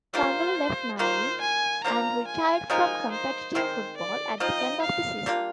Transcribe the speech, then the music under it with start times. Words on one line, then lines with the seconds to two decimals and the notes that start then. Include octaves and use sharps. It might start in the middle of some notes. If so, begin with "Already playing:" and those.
Trundle left Marine and retired from competitive football at the end of the season.
0.14 G3 A#3 F4 C5
0.98 D#3 A#3 F4 C5
1.42 G#5
1.84 F3 A#3 D4 F4 A#5
2.28 G#5
2.70 F3 G#3 D#4 A#4 G#5
3.13 C5
3.54 D#3 G#3 C4 C5
3.97 D5
4.40 F3 C4 D#4 D#5
4.83 F5
5.26 G3 A#3 D4 F4